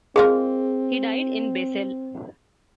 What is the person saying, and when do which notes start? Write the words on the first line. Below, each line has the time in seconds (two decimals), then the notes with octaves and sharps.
He died in Basel.
0.16 G#3 C4 F4 G#4 A#4